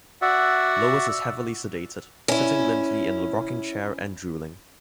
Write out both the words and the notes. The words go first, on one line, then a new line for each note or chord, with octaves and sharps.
Lois is heavily sedated, sitting limply in a rocking chair and drooling.
F#4 D5 E5 F#5
C#4 E4